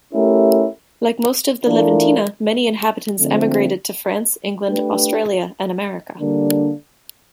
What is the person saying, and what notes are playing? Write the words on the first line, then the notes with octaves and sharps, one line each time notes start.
Like most of the Leventina, many inhabitants emigrated to France, England, Australia and America.
A3 C#4 E4 G4 A#4
E3 A3 D4 F4 A#4
D3 F3 A3 C4
A3 D4 G4 B4
D3 G3 A#3 D4